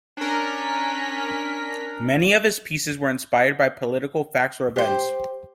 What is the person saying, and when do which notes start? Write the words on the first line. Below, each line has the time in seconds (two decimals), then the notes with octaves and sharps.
Many of his pieces were inspired by political facts or events.
0.17 C#4 D4 A#4 B6
4.76 G4 C5